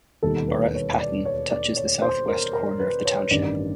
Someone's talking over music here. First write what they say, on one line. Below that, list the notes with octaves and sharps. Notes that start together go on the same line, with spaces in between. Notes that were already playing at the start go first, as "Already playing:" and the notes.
The borough of Patton touches the southwest corner of the township.
E1 D#2 D#3 G3 A4
B4
C#5
D5
C#5
D5
C#5
C5
A#4
A#4
B4
C#5
A1 G2 D#3 D5